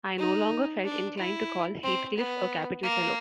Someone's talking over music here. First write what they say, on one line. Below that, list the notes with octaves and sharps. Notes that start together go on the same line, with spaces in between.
I no longer felt inclined to call Heathcliff a capital fellow.
D#4
D4
E4
C4
B3
A#3